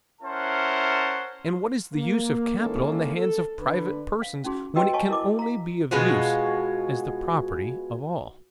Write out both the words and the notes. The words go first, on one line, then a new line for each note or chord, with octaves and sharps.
And what is the use of capital in the hands of private persons, when it can only be of use as the property of all?
C#4 E4 A#4 C5 F#5 A5
A#3
D#3 G#3 A#3 C#4 E4 A4
A4
D3 D4 B4
F5
C#4 D#4 F#4 G#4
F#4 B4 D#5 G5 E6
C#5 D#5 F5 G#5 A5 C#6
E4 A#4 D#5 D6
F5 A#5
B2 G#3 F4 F#4